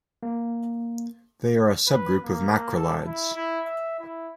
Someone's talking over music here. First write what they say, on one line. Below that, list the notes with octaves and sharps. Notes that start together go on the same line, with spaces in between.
They are a subgroup of macrolides.
A#3
B4
A#3
A4
E4
E4
E5
E4